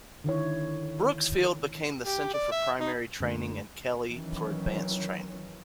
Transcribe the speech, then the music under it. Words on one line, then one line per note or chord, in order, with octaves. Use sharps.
Brooks Field became the center for primary training and Kelly for advanced training.
D3 D#3 E4 C#5
G4
D5
E5
D#4
F#2 D3 A3
D#3 E3 F#3 C#4